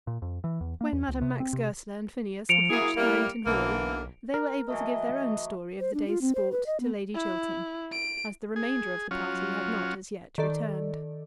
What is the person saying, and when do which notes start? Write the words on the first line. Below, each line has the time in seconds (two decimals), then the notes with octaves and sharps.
When Madame Max Goesler and Phineas had reached Harrington Hall they were able to give their own story of the day's sport to Lady Chiltern, as the remainder of the party had not as yet returned.
0.07 A#2
0.22 F2
0.44 E3
0.61 E2
0.81 A#3
0.93 E2
1.08 C#2
1.22 C3
1.40 C4
1.53 C3
2.49 F3 C#7 D7 F7
2.70 F#3 A#3 E4 G#4
2.96 G3 A#3
3.46 B1 D3 E3 A#3
4.34 A#4
4.68 E3 F#3 A3 D#5
5.80 C5
5.94 D4
6.07 F4
6.21 C4
6.35 C5
6.52 B4
6.66 D#5
6.80 B3
7.15 E4
7.92 D7
8.56 G#4
9.11 F#3 C#4 F4
10.38 D#3 A4 D5